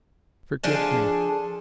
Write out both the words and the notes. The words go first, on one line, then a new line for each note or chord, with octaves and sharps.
"Forgive me!"
F3 D4 G#4 A4